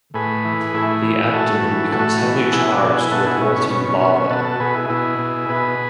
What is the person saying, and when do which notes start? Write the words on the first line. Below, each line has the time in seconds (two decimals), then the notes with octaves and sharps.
The abdomen becomes heavily charged with molten lava.
0.14 A2 G#4 B4
0.45 E3
0.74 A2 E4 G#4
1.03 E3
1.33 A2 F#4 A4
1.63 E3
1.92 A2 F#4 A4
2.22 E3
2.52 B2 E4 G#4
2.71 D4 F#4
2.82 B2
2.92 E4 G#4
3.11 B2 F#4 A4
3.26 E4 G#4
3.41 B2 C#4
3.56 C#4
3.71 B2 C#4
3.85 C#4
4.00 B2 C#4
4.16 C#4
4.30 B2 F#4 A4
4.45 F#4 A4
4.60 B2 G#4 B4
4.74 E4 G#4
4.89 B2 E4 G#4
5.19 B2
5.49 B2 G#4 B4